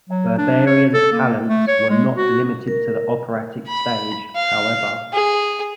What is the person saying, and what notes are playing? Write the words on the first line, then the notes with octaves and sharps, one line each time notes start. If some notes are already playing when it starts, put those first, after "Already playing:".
Berbarian's talents were not limited to the operatic stage, however.
F#3
D4
C#5
A4
A#3
A3
C#5
G#3
F#4
A#4
B5
F5
G#4